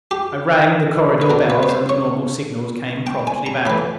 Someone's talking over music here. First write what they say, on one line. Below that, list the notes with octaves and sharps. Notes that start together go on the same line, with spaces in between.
I rang the corridor bells, and the normal signals came promptly back.
G4
B4
B2 A#4
B4
B4
C5
C#5
G5
G#5
A#5
A2 E3 B5